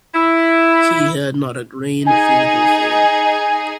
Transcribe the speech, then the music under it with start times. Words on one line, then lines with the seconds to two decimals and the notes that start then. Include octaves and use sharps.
He had not a grain of physical fear.
0.15 E4
2.06 D#4 G#4 G#5